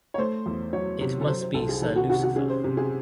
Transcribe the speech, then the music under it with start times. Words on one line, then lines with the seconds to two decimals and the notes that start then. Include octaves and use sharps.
It must be Sir Lucifer.
0.14 C#5
0.18 A3 C5
0.46 E2
0.73 F#3 C#5
1.01 C3
1.21 A4
1.27 F#3 C5
1.41 C5
1.54 C2 A4
1.69 G#4
1.81 D#3 A4
1.96 F#4
2.09 C3 F#4
2.23 F#4
2.36 C#4 G#4
2.49 C5
2.64 C3
2.77 G#4